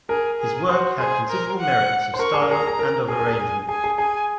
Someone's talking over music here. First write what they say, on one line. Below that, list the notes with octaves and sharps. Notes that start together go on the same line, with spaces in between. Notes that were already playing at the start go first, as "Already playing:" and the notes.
His work had considerable merits of style and of arrangement.
G#4 A#4
G#4
F#4 C5
G#4 C5
A#4
F#5
C5
A#4 C#6
G#4
A#4
G#4 A#5
A#4
G#4
A#4
G#4 G#5
A#4
G#4
G#4 G#5
G#4
G#4 G#5